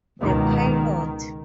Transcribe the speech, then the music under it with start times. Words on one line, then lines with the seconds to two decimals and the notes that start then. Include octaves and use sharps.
The Pilot.
0.22 C#2 B2 D#3